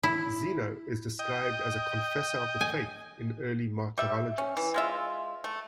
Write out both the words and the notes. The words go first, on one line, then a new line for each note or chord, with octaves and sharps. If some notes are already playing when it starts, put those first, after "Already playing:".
Zeno is described as a confessor of the faith in early martyrologies.
E4
D#5 G5
G#5
G3 E5
C#4
E3
G#3 F4 E5
A3